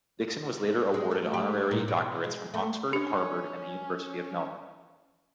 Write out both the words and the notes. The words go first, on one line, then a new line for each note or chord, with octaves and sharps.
Dixon was later awarded honorary doctorates from Oxford, Harvard, and the University of Melbourne.
G#3
A3
G4
A#2
B2
G#3
A3
C#4 D4 G4